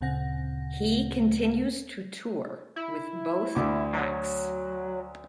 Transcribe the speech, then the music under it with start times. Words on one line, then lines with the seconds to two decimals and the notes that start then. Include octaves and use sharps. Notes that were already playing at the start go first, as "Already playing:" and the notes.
He continues to tour with both acts.
0.01 D2 A#2 C#3 C4 F#5 A#6
2.76 E4
3.55 D2 D6
3.94 F#3